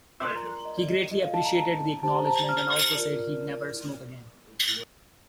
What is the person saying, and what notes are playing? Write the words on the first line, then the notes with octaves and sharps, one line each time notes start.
He greatly appreciated the acknowledgement, and also said he'd never smoke again.
F4 A#4 D5 C6
A#5
A#5
D#5
D5
D#5
F4 A4 D5 D#5
F5
A5
A#5
A5
G4 C5 A5
A#5
A5
A#5
F6
F4 A#4 D5